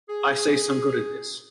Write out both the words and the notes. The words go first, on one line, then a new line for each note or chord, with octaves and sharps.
I see some good in this.
G#4